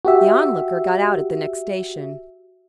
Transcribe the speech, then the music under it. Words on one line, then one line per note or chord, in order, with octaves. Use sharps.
The Onlooker got out at the next station.
F#4 G4 E5